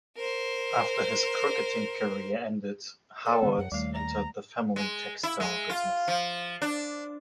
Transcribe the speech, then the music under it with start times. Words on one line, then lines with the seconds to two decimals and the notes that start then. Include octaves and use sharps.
After his cricketing career ended, Howard entered the family textile business.
0.16 A#4 C5
3.25 A4 A#4 C#5
3.43 D3 E3 B3
3.58 F#2 F#5
3.72 D#2 G3 A3 F5
3.93 A#5
4.76 G#3
5.23 E4
5.40 G#3
5.69 F4
6.08 F3
6.62 D4